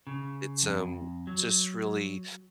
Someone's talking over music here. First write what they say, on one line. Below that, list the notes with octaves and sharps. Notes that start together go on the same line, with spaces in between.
it's, um, just really
C#3
F2
F#3